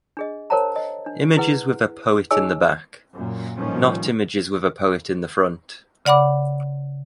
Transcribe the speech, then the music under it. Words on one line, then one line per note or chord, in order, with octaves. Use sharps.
Images with a poet in the back, not images with a poet in the front.
D4 G#4 D#5
A#4 C5 C#5 F#5 A5 A#5
D#5
D4
E4 G#4 B4 F#5
D#4 G#4 C#5 D#5 G#5 E6
F#2 A#2
A#1 A2 D#3 F3 G3 C#4
C#3 D5 F#5 B5 D6